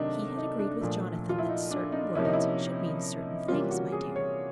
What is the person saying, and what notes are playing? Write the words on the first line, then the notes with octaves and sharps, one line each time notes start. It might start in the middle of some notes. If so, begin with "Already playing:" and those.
"He had agreed with Jonathan that certain words should mean certain things, my dear."
Already playing: C3 D#3 F#3 A3 D4 D#4
D#4
D4
A#2 F3 A3
F4
E4
D#4
D4
D#4
C3 F3 A#3 C#4 E4
D#4
E4
C3 E3 G3 A#3 C#4 F4
F#4
G#4
C#5